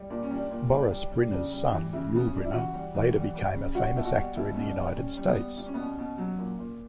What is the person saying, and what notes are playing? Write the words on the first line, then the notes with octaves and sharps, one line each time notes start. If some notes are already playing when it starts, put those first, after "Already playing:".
Boris Brynner's son Yul Brynner later became a famous actor in the United States.
Already playing: G3
A#2 D4
C#4
G3 D4
A#2
G3 D4
G3
G3
C#3 D4
G3
E3
C#3 E4
C#3 B3
C#4
C#3 D4
E4
E3 F#4
G3
E3
G3
G3
C#3
G3 F#4
B2 E4
F#4
G3
B2 E4
B2 C#4
D4
G3
G3 C#4
G3
B3
G3
G3 D4
C#4
B3
B2 C#4
B2
F#3
A#2
A#2